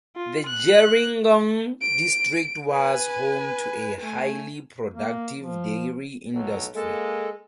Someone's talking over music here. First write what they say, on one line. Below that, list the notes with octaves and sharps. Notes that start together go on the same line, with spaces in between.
The Gerringong district was home to a highly productive dairy industry.
F4
F#6
D7
B4 G#5
A3 G#5
A#3
F3
B1 A2 F#3
G#3 A#3 A4